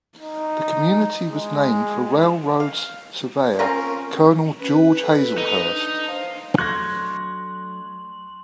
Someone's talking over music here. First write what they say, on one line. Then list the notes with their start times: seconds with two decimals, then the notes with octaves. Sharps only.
The community was named for railroad surveyor Colonel George Hazlehurst.
0.19 D#4
1.31 G#3
2.60 F5
3.59 C4 C#4 F4 A#4
4.60 C#4 B4
5.02 A4
5.38 D#4
5.74 D4
6.08 C5 F5
6.58 F#3 A3 D4 C6 C#6 F#6 G#6 A#6